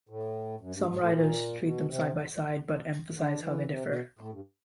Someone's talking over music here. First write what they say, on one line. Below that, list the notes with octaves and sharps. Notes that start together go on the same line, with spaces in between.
Some writers treat them side by side but emphasize how they differ.
A2
F#2
G2
G#2
A2
A#2
B2
C3
D3
E3
C3
B2
A2
G2